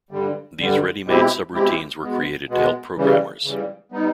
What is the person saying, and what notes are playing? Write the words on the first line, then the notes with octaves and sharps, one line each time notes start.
These ready-made subroutines were created to help programmers.
G2 D3 G3
G2 D3 G3
B2 G#3 C4 E4 G4
B2 G#3 C4 E4 G4
B2 G#3 B3
B2 G#3 B3
C#3 E3 G3
C#3 E3 G3
G3 B3 D#4